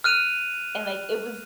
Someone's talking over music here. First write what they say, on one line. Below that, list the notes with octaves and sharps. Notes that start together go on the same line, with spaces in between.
And, like, it was
F6 F#6 D#7 F7